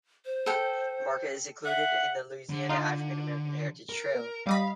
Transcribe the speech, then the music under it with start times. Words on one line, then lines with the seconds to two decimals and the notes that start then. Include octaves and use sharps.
The market is included on the Louisiana African American Heritage Trail.
0.25 C5
0.46 A4 G5
1.65 E5 F#5
2.50 D3
2.69 D#4 F4
3.89 A#4
4.47 G3 D#5 F5 B5